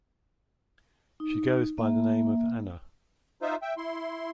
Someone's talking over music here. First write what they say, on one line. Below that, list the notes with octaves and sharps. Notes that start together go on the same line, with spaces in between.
She goes by the name of Anna.
D#4
A#3 E5
D#4 F4 C5 E5
E5 G5
E4 C6